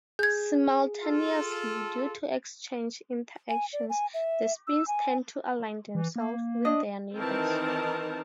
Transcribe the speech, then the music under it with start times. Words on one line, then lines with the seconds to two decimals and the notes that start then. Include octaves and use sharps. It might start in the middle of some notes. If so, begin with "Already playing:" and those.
Simultaneously, due to exchange interactions the spins tend to align themselves with their neighbours.
0.19 G#4 G6 G#6
1.02 F4 A4
3.49 G#5
3.73 D5
3.89 G#5
4.14 E5
4.67 E6
4.88 G#5
5.95 E3
6.16 A#3
6.65 D4 D#5
7.16 D#3 E3 C4 D#4 A#4 A5